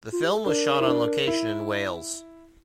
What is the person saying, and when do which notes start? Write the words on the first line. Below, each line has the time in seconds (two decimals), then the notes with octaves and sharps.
The film was shot on location in Wales.
0.12 F4
0.24 G4
0.35 A4
0.46 D4 A#4
0.81 E4
0.87 D4
1.27 E4